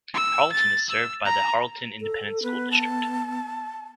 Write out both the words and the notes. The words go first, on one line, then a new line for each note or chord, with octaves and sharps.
Harleton is served by the Harleton Independent School District.
E6
A6
E6
A#5
A4
B3 B4
A5